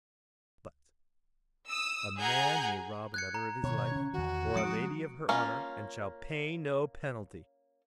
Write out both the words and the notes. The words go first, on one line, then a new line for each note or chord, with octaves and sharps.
But a man may rob another of his life, or a lady of her honor, and shall pay no penalty!
D#6 E6
G#4 F#5 G#5 A#5 G6
F#6 G#6 C#7
A#5
B2 D#3 C#5
C#3 C#4
E2 D#3 F#4
F3 G#3 C4 D#6 C#7 D7
A#3 C#4 F4